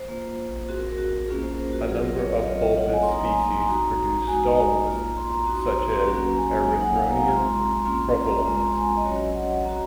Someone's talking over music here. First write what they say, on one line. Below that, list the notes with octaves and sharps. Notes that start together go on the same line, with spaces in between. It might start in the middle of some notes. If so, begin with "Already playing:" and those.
A number of bulbous species produce stolons, such as "Erythronium propullans".
Already playing: C5
A#3 F4
C4 F#4 G#4
A#4
A#4
F#4
A#3 C#4 F4 G#4
C5
A#4
F#4
F#3 C4 F4 G#4
A#4
C#5
F5
D#5
F#3 C4 F4 C#5
D#5
F#5
G#5
C6
F#3 A#3 D#4 A#5
G#5
A#5
C6
C4 D#4 F#4 A#5
G#3 D#4 F#4 G#5
A#5
A#3 F4
C6
A#5
C4 D#4 F#4 C6
A#5
C6
F#3 A#3 C#4 F#4 A#5
G#5
F#3 A#3 D#4 G#5
F#5
F5
A#5
G#3 C4 F4 A#5
C6
A#5
C6
A#5
A#3 C#4 F4 C6
A#5
A#5
G#3 C4 F4
C6
A#5
G#5
D#5
F#3 C#4 F#4 C#5
F#5
F#5
C4 F#4 A#5